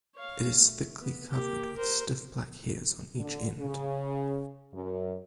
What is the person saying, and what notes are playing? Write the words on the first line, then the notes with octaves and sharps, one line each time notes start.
It is thickly covered with stiff black hairs on each end.
C#5 F5
A3
B3
A#3 G4
A#4 C5
D3
C#3
F#2